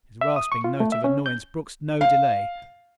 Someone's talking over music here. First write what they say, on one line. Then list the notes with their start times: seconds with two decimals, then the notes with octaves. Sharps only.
His rasping note of annoyance brooked no delay.
0.21 E5
0.36 D#6
0.52 C#6
0.64 F4
0.80 A3
0.92 E5
1.04 C#4
1.26 G6
2.01 F5